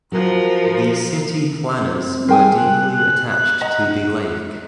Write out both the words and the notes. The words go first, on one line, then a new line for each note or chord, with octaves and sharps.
The city planners were deeply attached to the lake.
F3 F#3 A#4
C4
G3 A#4 G5 G#5 C6
F#6
D#5 F#5 A#5